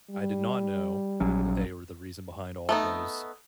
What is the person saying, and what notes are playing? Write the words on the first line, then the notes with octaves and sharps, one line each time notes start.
I did not know that they were the reason behind all those,
G3
A#1 F#3 C#4
A3 B3 D#4